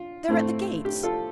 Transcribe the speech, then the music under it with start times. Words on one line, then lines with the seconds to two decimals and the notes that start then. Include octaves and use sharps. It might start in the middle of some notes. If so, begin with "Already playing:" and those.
'They're at the gates!
Already playing: F4
0.28 A2 A3 C4
0.85 G4
1.03 F4 A4